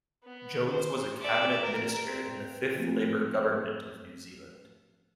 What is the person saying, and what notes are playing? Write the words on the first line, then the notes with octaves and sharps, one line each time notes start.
Jones was a cabinet minister in the Fifth Labour Government of New Zealand.
B3
C5
D5 E5
A#4
C4
F3 A3 A#3 C4 F4